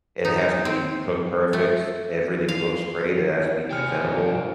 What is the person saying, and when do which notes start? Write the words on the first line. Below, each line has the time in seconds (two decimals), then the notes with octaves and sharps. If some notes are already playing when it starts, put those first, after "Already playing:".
It has to be cooked perfect. Everything looks great, it has to be presentable
0.25 D#4
0.65 C4
1.53 A3
2.49 F5
3.71 C3 D4 G#4 G5 F6 C#7
4.05 D#1 A#4